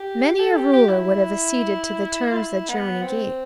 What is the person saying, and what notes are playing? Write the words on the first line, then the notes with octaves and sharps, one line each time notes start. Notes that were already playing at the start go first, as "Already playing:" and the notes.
Many a ruler would have acceded to the terms that Germany gave.
Already playing: G4
A4
G4
G4
E4
F4
E4
B3
C4